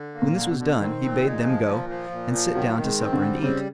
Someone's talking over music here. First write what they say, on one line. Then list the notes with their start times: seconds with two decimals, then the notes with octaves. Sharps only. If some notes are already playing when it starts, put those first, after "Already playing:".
When this was done, he bade them go and sit down to supper and eat.
Already playing: D3
0.15 A#3
0.22 A#2
0.36 D3
0.51 B2
0.59 D3
0.80 D#3 C4
1.03 A#2
1.24 G#3
1.45 F3
1.68 A#2
1.89 F3
2.11 A#2
2.33 F3
2.54 D#3 F#3
2.76 D#3
2.84 G#3
2.99 C4
3.13 D3
3.20 G3
3.42 C#3 C4